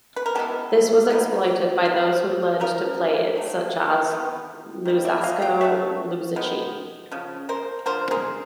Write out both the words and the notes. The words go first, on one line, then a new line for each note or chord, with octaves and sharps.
This was exploited by those who learned to play it, such as Luzzasco Luzzaschi.
B4
A#4
E3 G#3 B3 G4 A4
D#3 F#3 B3
C3 E3 G3
C#3 F3 A#4
D#3 F#3 A3
C3 E3 G#3 B3
D#3 G3 A#3
D5 E5
D#5 F5
F5 G5
C#3 F#3 A3 E5 F#5
D#3 G#3 B3
C#3 F3
A#4 C5
D3 F3 A#4 C5
G#4 A#4